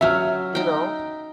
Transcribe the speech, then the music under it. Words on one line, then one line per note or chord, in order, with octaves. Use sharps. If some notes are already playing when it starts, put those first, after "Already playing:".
you know?
F#3 C#4 E5 F6
D#4 G5